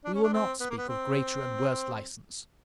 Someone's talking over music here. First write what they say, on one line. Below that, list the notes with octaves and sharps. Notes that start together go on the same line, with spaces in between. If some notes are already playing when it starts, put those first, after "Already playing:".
We will not speak of greater and worse license.
D4
C#4
D4
C4
B3
A#3
B3
C4